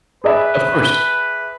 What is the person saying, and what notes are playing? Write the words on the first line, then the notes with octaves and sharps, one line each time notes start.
Of course,
G#4 B4 D5 E5